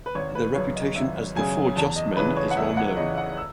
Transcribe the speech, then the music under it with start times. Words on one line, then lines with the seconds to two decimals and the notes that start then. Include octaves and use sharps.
Their reputation as the "Four Just Men" is well known.
0.06 B4
0.15 G#1 C#5
0.35 B4
0.55 F#2 C#3 C#5
0.75 D#5
0.95 G#1 E5
1.36 F#2 C#3 G#5
1.76 E2 A5
1.96 D#5
2.17 C#3 E3 B4
2.37 C#5
2.51 F#5
2.57 E2 E5
2.77 F#5
2.97 C#3 E3 D#5
3.17 F#5
3.37 E6